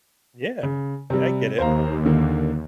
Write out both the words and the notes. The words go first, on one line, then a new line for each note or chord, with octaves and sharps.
Yeah. Yeah, I get it.
C#3
C3 G3
D#2 C5 F5 A#5
D3 D#3 A#3